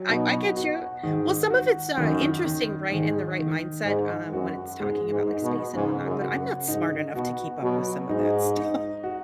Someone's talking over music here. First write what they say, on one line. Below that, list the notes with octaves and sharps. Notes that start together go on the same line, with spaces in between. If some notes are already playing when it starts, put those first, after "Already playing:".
I I get you. Well, some of it's, uh, interesting, right? In the right mindset, um, when it's talking about, like, space and whatnot, but I'm not smart enough to keep up with some of that stuff.
Already playing: F#3
B2 D#4
F#4
G#2 D#3
F#4
F#2 D#3
D#3
G#2 D#3
D#3
G#2 D#4
F#2 F#4
G#2 G#3
G#2
D#4
B2
G#2 C#3
F#2
F#4
F#2
G#2 D#4
B2 F#4
B2 F#3
G#2 D#4
D#4
F#4